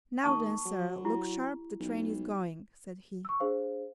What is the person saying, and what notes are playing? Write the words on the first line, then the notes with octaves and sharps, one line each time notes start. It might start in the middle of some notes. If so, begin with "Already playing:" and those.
"Now then, sir, look sharp, the train is going," said he.
D#2 A5 C#6 D#6
F#3
E4 G4
B1
C#6 E6
D4 G#4 C5 F5